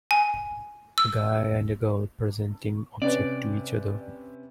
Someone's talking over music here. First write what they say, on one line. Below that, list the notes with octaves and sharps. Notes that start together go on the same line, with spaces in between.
A guy and a girl presenting object to each other.
G#5
E6
C3 C#4 B4 D5